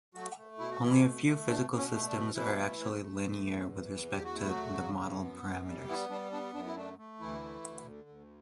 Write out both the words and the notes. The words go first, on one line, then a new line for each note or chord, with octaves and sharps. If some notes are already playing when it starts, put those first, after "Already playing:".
Only a few physical systems are actually linear with respect to the model parameters.
F#3 A3 F#4
A3
B2 E4
F#4
B2 E3 E4
A3
A3
B2 D4
B2
C#4
A3
D4
B2
B2 E3 E4
A3
A3
A3
A3
E2
E3
E2
E2 G4
F#4
A3 E4
F#3 F#4
E2
C#3
F#2
B3
F#2
G3
E3 B3 E4
G3 D4
B3 D4
F#2 D4
E4
A3 D4
A3
D2 E3 E4
A3
D2
D3
D2